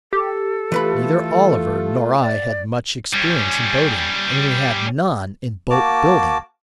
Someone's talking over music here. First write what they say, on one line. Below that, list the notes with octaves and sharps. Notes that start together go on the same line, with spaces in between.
Neither Oliver nor I had much experience in boating, and we had none in boat building.
G4 A4
E3 A3 F4 B4 B5
D5
G3 C#4
A#3 F#4 A5 D6